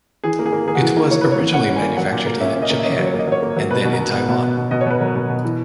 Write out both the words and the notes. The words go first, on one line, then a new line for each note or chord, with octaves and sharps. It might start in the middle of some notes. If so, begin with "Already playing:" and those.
It was originally manufactured in Japan and then in Taiwan.
E3 G#4
A#3
G#4
A#3
A#3 G#4
F#4
E3 G#4
A#3
E3 C#5
A#3 B4
C#5
E3
C#4 F#5
C#4
G#5
A#3
F#3 F#5
A#2
A#3
C#4 E5
C#4
D#5
A#3
E5
C#4 D#5
F#3
C#5
A#3 D#5
F#3 C#5
A#3
F#3
B2 B4
B2
A#4
B2
B3
B2
B3
B2
B2 D#5
C#5
B2 B4
F#3 A#4
B2
B2
E3